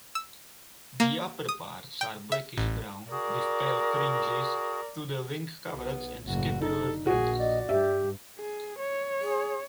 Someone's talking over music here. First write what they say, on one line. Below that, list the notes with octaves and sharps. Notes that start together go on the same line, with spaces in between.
The upperparts are blackish-brown with pale fringes to the wing-coverts and scapular feathers.
E6
A#3
D#6
G5
E5
A1
F#4 G#4 A#4 D5
B1 B3
F#1 A2 F#4
D3 D#4 A4
A#1 F#4 G#4
D5 D#5
G2 G4 E5
G#4
C#5
G#4